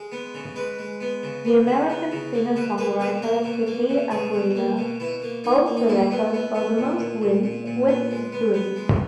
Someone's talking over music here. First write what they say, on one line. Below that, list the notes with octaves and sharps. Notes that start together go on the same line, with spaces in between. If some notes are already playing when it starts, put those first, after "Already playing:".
The American singer-songwriter Pepe Aguilar holds the record for the most wins, with three.
Already playing: G#3
B3
C#3
G#3 B4
G#3
B3
C#3
B3
C#3
B3
C#3
A#3
B2 B4
A#3 B4
B2 B4
A#3 A#4
B2
A#3
B2
B2 G#4
B2
A#3
B2
B2 E4
A#3
A#3 D#4
A#3
D#4
A#2 E4
B3
B3
B3
A#2
A#2
A#2
A#2
A#2
B3
G#3
B3
B3
G#3